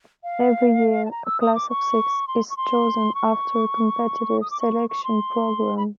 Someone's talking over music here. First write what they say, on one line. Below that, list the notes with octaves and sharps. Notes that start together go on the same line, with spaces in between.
Every year a class of six is chosen after a competitive selection program.
F5
A5
A#5
E6
D#6
D6
C#6
C6
C#6
C6
C#6
D#6
D6
C#6
C#6
C6
B5